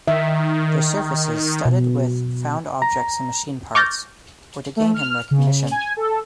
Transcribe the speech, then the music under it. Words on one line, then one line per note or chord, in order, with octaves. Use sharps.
Their surfaces, studded with found objects and machine parts, were to gain him recognition.
D#3 E5
B2
A#5
C#6 D6 F6 G6 A6 A#6
A3
F6
C#3
G#5
A4